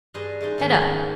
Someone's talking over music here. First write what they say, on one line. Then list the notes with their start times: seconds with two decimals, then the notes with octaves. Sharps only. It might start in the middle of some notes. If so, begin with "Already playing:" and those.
Head up!
0.14 G2 D4 G#4 C5 D#5
0.41 G#3 A3 D4 D#4
0.58 G#2 D#3 C#4
0.80 B3